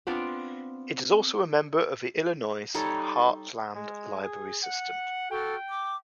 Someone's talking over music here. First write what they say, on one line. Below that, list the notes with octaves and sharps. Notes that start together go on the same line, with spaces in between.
It is also a member of the Illinois Heartland Library System.
B3 C4 D4 F4
G3 D#4 A4 C#5
G#3
G#4
F#5
F#4 A4 G5 F6
D6